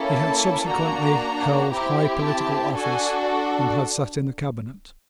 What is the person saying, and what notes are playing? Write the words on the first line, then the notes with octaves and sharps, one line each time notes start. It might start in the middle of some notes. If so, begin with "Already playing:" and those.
He had subsequently held high political office, and had sate in the Cabinet.
Already playing: A#3 C#4 E4 A4
A5
A#3 D4 F#4 A#5
C4 E4 G4
A5
D4 F#4 A4 G#5